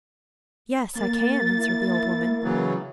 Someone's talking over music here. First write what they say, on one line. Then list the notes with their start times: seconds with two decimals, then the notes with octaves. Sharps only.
'Yes, I can,' answered the old woman.
0.95 A#3 A6
1.58 E4
2.44 C#3 E3 F#3